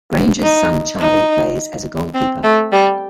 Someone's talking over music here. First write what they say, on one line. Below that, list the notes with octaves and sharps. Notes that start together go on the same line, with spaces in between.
Grainger's son Charlie plays as a goalkeeper.
D#4
D#4
C4
A3
G3